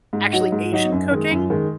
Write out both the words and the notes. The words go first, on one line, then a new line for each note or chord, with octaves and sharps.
actually Asian cooking?
G#2
F#3 D#4 F#4
G#2
F#3 D#4 F#4
F#2
D#3 G#3
F#2
D#3 G#3